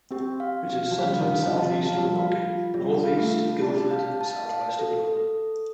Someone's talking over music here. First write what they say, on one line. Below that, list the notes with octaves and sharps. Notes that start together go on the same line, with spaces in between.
It is centred southeast of Woking, northeast of Guildford and southwest of London.
C4 G4
F5
F5
F3
G3 F5
D3
F5
F3
A5
F3
F3 F5
G3
F3
F5
F4
G3 F4
F5
A3
F4
D4 A5
F5
A5
F5
A4
A4